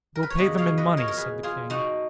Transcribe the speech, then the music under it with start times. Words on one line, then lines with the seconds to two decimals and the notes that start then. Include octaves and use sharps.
We'll pay them in money--said the king.
0.15 A#4
0.23 B4
0.30 C#5
0.37 F2 C#3 F#3 B3 B4 D#5
0.57 C#5 F5
0.78 B4 D#5
0.97 A#4 C#5
1.08 A#4
1.17 G#4 B4
1.43 F4 G#4
1.70 D#4 F#4